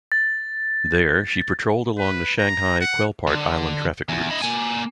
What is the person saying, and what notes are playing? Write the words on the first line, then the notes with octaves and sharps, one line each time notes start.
There, she patrolled along the Shanghai-Quelpart Island traffic routes.
A6
B4
A#5
F#5
D3
E2
E4 D#5
A#3 G#5